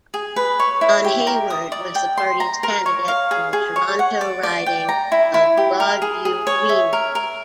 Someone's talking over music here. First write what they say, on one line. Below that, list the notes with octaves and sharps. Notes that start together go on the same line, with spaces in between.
Don Hayward was the party's candidate in the Toronto riding of Broadview-Greenwood.
G#4
B4
C#5
E4
G4
A#4
D#6
D5
G5
C6
A#5
A#4
C#5
F5
G#4
G#4
C#5
F#5
D5
D5
G5
A#5
E4
E4
G4
A#4
G#4
G#4
C#5
E5
A#4
A#4